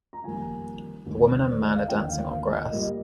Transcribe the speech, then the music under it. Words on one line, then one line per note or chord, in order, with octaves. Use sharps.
A woman and man are dancing on grass.
A#5
F2 D#3 G3 A#3 G#5
D#2 D3 F3 G#3
C5
D5
D#5
F5
D#2 D3 F3 A#3 G5
F5
F5
D#5
A#2 G3 A#3 D#5